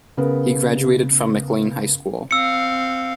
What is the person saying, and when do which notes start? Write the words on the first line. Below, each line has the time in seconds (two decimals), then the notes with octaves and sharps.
He graduated from McLane High School.
0.17 C#3 B3 A#4
2.31 C4 F5 E6 C#7